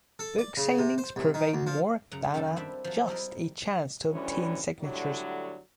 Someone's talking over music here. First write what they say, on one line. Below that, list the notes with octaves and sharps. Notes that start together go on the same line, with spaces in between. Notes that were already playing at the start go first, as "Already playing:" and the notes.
Book signings provide more than a just a chance to obtain signatures.
A4
D5
C#3
C3
C5
C2
D#3
D2
F3
F#2 C#3 F#5 A#5
F#2 D#3 G3 A4 A5
G3 C4 D4 E4 G4 E5
F3 F#3
G3 E4 A#4 D#5
D2 E3 G3 C#4
A2 D3 F#3 G3